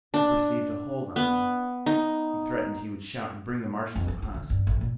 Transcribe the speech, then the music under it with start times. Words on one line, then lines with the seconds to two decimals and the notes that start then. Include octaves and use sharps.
He perceived a hold on me--he threatened he would shout and bring the Martians upon us.
0.14 D4
1.16 B3
1.86 D#4
3.95 F2
4.08 E4
4.22 F4
4.34 D3
4.50 G2
4.67 A1
4.81 A#2